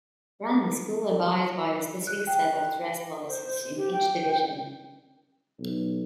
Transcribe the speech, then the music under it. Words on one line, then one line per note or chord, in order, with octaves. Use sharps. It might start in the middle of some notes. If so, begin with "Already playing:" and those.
Ranney School abides by a specific set of dress policies in each division.
F#6
G5
C5
G4
G5
B1